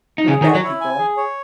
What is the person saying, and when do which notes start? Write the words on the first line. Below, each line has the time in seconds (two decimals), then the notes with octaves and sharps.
For the bad people.
0.18 D#4
0.28 C#3 C#4 G#4
0.41 D#3 D#4
0.46 C#5
0.55 F#3 F#4
0.64 E4
0.81 G#5
0.99 G#4
1.17 C#5